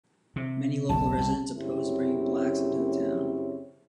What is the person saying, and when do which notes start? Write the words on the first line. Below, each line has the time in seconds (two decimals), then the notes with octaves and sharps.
Many local residents opposed bringing blacks into the town.
0.36 C3
0.89 F#1 B1 A5
1.18 C2
1.57 F#2 C#3 C4 E4 G4 C#5